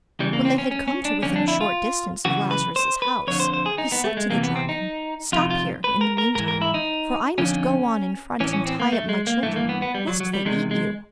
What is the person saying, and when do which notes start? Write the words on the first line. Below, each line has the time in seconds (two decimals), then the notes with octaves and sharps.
When they had come to within a short; distance of Lazarus's house, he said to the Draken: 'Stop here, in the meantime, for I must go on in front and tie up my children, lest they eat you.'
0.19 E2 C#3 E3 G3
0.33 A#3
0.45 C4
0.58 C#4
0.71 C#4
0.88 C#4
1.05 D4
1.22 F2 D3 C#4
1.36 D4
1.48 E4
1.61 F4
2.25 F#2 C#3 E3 F#4
2.51 B4
2.76 C5
3.02 B4
3.27 F2 D3 C#5
3.40 C5
3.54 C5
3.66 G#4
3.78 D#4
3.92 B3
4.04 A3
4.17 G#3
4.30 E2 C3 E3 A#3
4.43 B3
4.56 C4
4.69 D#4
5.32 F2 C3 D#3 F4
5.51 F4
5.84 B4
6.01 A#4
6.18 A#4
6.35 G#2 A#4
6.40 E3
6.48 A#4
6.62 E4
6.74 D#4
7.38 F2 D3 C#4
8.40 A2 E3 C#4
8.53 C#4
8.66 C4
8.80 A#3
8.92 A3
9.09 G#3
9.27 A#3
9.43 G2 E3 A3
9.56 A#3
9.69 B3
9.82 B3
9.95 G3
10.07 F#3
10.20 F#3
10.33 G3
10.45 E2 C3 D#3 G#3
10.71 G#3